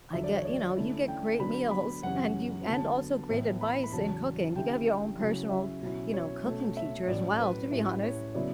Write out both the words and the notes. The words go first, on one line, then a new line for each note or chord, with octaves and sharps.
I get you know, you get great meals, and you and also great advice in cooking. You can have your own personal, you know, cooking teacher as well, to be honest.
E2 D3 F#3 E5
D5
C#5
D5
D3 A3 C#4 E4
G5
D3 F#3 B3 D4 B5
B5
F#2 C#3 E3 G3 C#4 F#5
D3 F#3 B3 A5
A2 E3 B3 E4
B5
B5
E2 C#3 F#3 C#4 A5
D3 G3 C#4 E4 G5
C#3 F#3 C#4 E4
E5
B2 F#3 C#4 E4
C#5
B2 A3 C#4
E5
A2 F#3 C#4 D5
B4
A2 G3 C#4 E4
C#5
C#3 F#3 B3 E4 D5